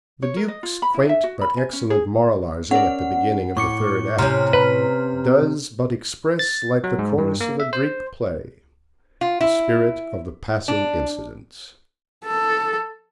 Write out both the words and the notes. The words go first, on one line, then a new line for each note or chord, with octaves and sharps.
The Duke's quaint but excellent moralising at the beginning of the third act does but express, like the chorus of a Greek play, the spirit of the passing incidents.
C#5
A#4
D#5
F4
B5
E4
E5
F#4
B5
G#5
C#4
G#4
C#4 A#4 D5 F#5
A2 C#6 D6 C#7
C3 C#4 A#5 C6 F6
B4
A6
F#3
G#2
G2
A#3
E5
C5
F4
E4
D4
A4